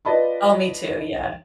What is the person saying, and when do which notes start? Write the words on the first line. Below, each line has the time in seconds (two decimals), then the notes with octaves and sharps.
Oh, me too, yeah.
0.05 F4 B4 D5 D#5 A5 B5